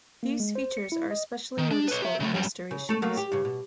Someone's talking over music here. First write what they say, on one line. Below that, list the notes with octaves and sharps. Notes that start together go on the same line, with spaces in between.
These features are especially noticeable in restorations.
A#3
G#3
C5
C#7
E4
D#5
D#3
D4
B4 C#5
G4 E5
C#3 A3
F#2 G3
C#3
A3 A4
F#3 A3 A#3
G4
G2 C#3
B2